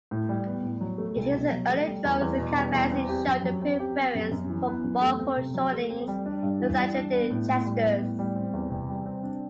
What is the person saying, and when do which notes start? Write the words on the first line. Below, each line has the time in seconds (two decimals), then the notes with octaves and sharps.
In his early drawings Cambiasi showed a preference for bold foreshortenings and exaggerated gestures.
0.11 A2
0.29 G3
0.46 B3
0.63 A2
0.81 F#3
0.98 A3
1.16 C2
1.34 B2
1.51 F#3
1.69 A3
1.86 G3
2.04 E2
2.21 E2
2.39 B2
2.56 G3
2.74 E2
2.91 C4
3.09 G4
3.27 F#2
3.44 F#3
3.62 C4
3.79 G4
3.98 B3
4.15 F#2
4.31 F#2
4.49 E3
4.67 B3
4.84 F#2
5.02 A3
5.19 C4
5.37 C3
5.54 F#3
5.72 A3
5.89 C4
6.08 G3
6.26 D4
6.43 G2
6.60 E3
6.78 G3
6.95 D4
7.12 B3
7.30 A2
7.49 A2
7.65 G3
7.83 B3
8.01 A2
8.19 G3
8.35 C4
8.53 E2
8.70 C3
8.89 G3
9.06 C4
9.23 D4